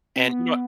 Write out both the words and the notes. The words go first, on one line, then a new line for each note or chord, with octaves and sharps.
And, you know what?
C4
B3